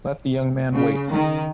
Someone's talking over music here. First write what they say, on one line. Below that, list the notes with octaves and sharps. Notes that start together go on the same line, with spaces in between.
Let the young man wait.
C#3
D#3